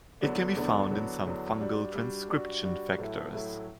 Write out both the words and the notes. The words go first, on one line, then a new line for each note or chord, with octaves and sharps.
It can be found in some fungal transcription factors.
E2 D3 F#3 B3 D4
E2 D3 F#3 B3 D4
E2 D3 F#3 B3 D4
E2 D3 F#3 B3 D4
G3 D4 F#4
G3 D4 F#4
G3 D4 F#4
G3 D4 F#4
A2 F#3 A3 E4
A2 F#3 A3 E4